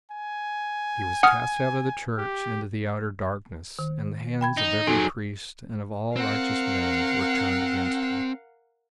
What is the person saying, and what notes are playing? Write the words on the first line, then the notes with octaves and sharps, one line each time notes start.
He was cast out of the Church into the outer darkness, and the hands of every priest and of all righteous men were turned against him.
G#5
F#5 D#6 F6
G4
D#3
G5 B5 G#6
D#4
F#3 D#4 G#4 A4
C4 A#4 F5 F#5